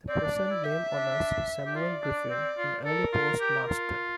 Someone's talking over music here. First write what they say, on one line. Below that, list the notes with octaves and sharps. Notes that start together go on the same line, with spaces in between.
The present name honors Samuel Griffin, an early postmaster.
C4 D5
D4
D4
E4
G4 E5
D4
G4
F4 D5
D4
C4
F4
A4 A#4
F4
G4
F4